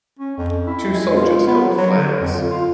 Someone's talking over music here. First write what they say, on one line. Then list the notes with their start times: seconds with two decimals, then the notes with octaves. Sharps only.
Two soldiers held flags.
0.19 C#4
0.38 F2
0.67 E4
0.93 G#3
1.16 F4
1.47 B3
1.63 F#3
1.77 F#3
1.96 D3
2.20 F2
2.33 F4
2.51 F4